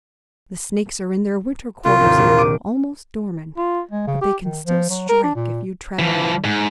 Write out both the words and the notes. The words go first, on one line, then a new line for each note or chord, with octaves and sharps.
The snakes are in their winter quarters now, almost dormant, but they can still strike if you tread on them.
C2 F4
G#1 D#2
A#1
D6 D#7
F4
G#3
C#3
G4
D#3
F3
F#3
A#4
D4
A#2
E3 F3
G#2